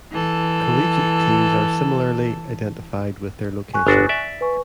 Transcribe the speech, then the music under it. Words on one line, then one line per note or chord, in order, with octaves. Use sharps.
Collegiate teams are similarly identified with their location.
E3 A4
G#5 C#6 F#6
G1 D4 F#4
D5 E5
B4 G#5 C#6